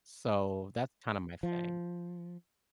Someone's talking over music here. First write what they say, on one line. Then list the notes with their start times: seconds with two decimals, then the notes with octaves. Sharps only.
so that's kinda my thing.
1.43 F3